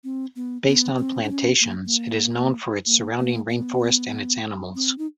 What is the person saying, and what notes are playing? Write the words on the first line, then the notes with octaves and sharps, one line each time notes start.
Based on plantations, it is known for its surrounding rainforest and its animals.
C4
B3
B3
C4
D4
C#4
A#3
A#3
A#3
A#3
B3
C4
D#4